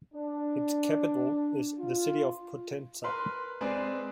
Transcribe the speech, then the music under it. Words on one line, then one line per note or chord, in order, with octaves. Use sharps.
Its capital is the city of Potenza.
D4
F4
A#4 B4 C6
G#3 C4 G#4 B4 D5